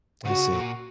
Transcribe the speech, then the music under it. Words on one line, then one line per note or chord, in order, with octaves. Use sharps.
I see.
C#3 F#4
A#2